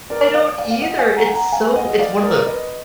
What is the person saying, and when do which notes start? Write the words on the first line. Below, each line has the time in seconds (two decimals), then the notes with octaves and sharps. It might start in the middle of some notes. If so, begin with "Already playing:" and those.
I don't either. It's so it's one of the
0.10 A#4 D5
0.34 D5 F5
0.58 D5 F5
0.71 F5
0.82 D#5 F#5
0.99 F5 G#5
1.16 F#5 A#5
1.27 G#5
1.34 F#5 A#5
1.52 F5 G#5
1.76 D#5 F#5
1.99 D5 F5
2.23 A#4 D5
2.46 B4 D#5